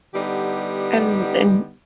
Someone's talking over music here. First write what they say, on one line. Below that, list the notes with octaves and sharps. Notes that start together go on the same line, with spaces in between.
And and
D3 G3 B3 D#4 G4